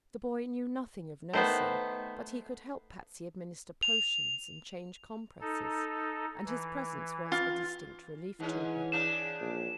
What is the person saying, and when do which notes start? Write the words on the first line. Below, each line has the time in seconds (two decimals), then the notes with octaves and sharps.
The boy knew nothing of nursing, but he could help Patsy administer potions and change compresses and his presence was a distinct relief to her.
1.33 D#3 A3 B3 A4 C5
3.83 F7
5.41 D#4 A4
6.46 E3
7.32 F4
8.40 G#2 E3 C#4
8.92 C#3 D4 E7
9.40 A#1